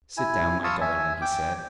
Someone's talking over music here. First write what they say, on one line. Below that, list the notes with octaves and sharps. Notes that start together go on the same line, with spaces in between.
"Sit down, my darling," he said.
E4 G#5
F5 A5 C6 C#6 D#6 E6
E5 G#5
G5 D6